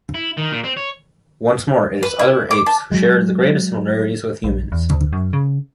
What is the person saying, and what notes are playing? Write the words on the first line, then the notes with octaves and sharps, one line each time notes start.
Once more it is other apes who share the greatest similarities with humans.
E4
D#3
A#2
C4
C#5
B4
E4
D6
A5
F#3 G#3
A#1
E2
D2
F#2
C#3